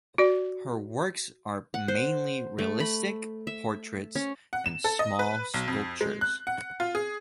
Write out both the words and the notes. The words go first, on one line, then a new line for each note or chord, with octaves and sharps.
Her works are mainly realistic portraits and small sculptures.
F#4 D5
F#5
C5
A3
B5
E5
C#4
F#5
E7
A4
D#5
B4
B1
F2
G#3
F#6
F#5
F4
G#4